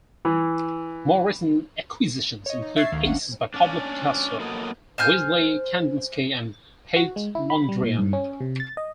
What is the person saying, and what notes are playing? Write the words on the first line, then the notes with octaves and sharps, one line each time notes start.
More recent acquisitions include pieces by Pablo Picasso, Wassily Kandinsky and Piet Mondrian.
E3
C#5 D#5
D#4
E5 C#6 G#6 A6 C7
D2 D#3 F5
G1 C#4 D4 F#5
C#4 D4
F#3 A#3 B3 A4 D#5
C5 G#5 F6 G6
F#4
G#3
E4
B5
G3
A#2
G2
C#4
C3
A6
D#5